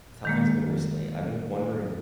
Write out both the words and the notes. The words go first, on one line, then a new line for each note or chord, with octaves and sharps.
with how things have been recently, I've been wondering,
D#3 G#3 A#3